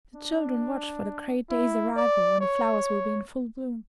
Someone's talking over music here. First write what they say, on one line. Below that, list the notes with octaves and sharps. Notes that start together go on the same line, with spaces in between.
The children watch for the great day's arrival when the flowers will be in full bloom.
D4
E4
D5
C#5